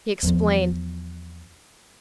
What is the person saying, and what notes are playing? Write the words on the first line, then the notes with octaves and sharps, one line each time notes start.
He explained.
E2 F3